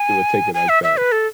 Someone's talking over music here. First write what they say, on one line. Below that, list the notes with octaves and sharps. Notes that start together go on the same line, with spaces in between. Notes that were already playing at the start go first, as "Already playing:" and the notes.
they would take it like that.
Already playing: G#5
G#5
E5
E5
B4
A4